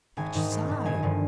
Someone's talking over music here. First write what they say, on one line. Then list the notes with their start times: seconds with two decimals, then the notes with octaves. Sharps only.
"Which side?"
0.17 G#1 G#5
0.34 G#2 D#3
0.52 G#1
0.69 G#2 D#3
0.85 G1 G#5
1.03 G2 D3 F3